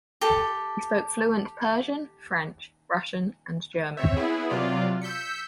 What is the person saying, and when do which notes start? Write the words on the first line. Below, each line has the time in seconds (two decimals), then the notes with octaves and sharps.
He spoke fluent Persian, French, Russian, and German.
0.21 G4 A4
3.97 C4 C#5 E5
4.16 B3 E4 G#4
4.50 C3 F#3 F4 D5
5.02 E6 G6 B6 C#7